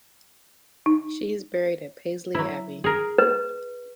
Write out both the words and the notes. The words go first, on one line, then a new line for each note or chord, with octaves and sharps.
She is buried at Paisley Abbey.
D#4
F#3 E4
G#4 A#4
B4